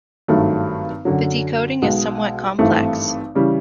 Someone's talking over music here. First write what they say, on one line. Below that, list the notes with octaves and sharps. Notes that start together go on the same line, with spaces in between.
The decoding is somewhat complex.
G#1 G2 D#3 F#3 A3
F#2 D3 F#3
B1 B2 G#3
G#1 G2 E3 A3 C4
C#3 E3 G3